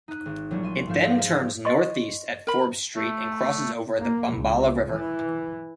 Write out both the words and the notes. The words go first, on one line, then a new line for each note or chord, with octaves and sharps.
It then turns northeast at Forbes Street and crosses over the Bombala River.
D#4 F#6
G#1
A#1 F#3 G3 C#4 E4
E5 C6 D#7
G#2 F3 A3 E5 F5 G6
F3 G#4 A#4 C5 D#5 E5
D#5 C6 C#6
A#4 B5
A3
A#3
C#2
E3